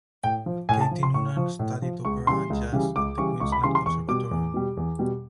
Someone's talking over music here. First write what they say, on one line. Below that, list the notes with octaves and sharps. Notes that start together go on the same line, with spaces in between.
Katie Noonan studied opera and jazz at the Queensland Conservatorium.
A2 G5
F3
A2 G#5
A5
F3
C6
A2 C#6
F3
A2
F3
C#2 C#6
C#3 E3 G3 C6
C#2
C#3 E3 G3
C#2 D6
C#3 E3 G3 C#6
C#2 C#6
B5
C#3 E3 G3 C6
C6
E2 C#6
B2 G3 D6
E2
B2 G3
E2
B2 G3